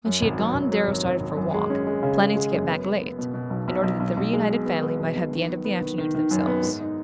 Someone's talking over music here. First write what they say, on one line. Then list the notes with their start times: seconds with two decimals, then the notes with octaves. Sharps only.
When she had gone Darrow started for a walk, planning to get back late, in order that the reunited family might have the end of the afternoon to themselves.
0.05 F#2
0.22 G#1
0.38 F#3
0.54 G#1
0.72 F#3
0.87 G#1
1.04 G#1
1.20 G#1
1.36 F#2
1.54 G#3
1.70 C#4
1.87 G#3
2.03 C#3
2.19 G#3
2.36 G#3
2.53 F#2
2.68 B3
2.86 B3
3.01 B3
3.19 B2
3.34 B2
3.50 B1
3.68 B1
3.84 B1
4.00 B1
4.17 B1
4.33 G#3
4.50 B2
4.65 B3
4.82 B3
4.99 B1
5.15 B1
5.32 D#3
5.48 B3
5.65 B3
5.81 D#3
5.98 D#3
6.15 D#3
6.31 F#2
6.47 B3
6.63 G#2
6.80 D#4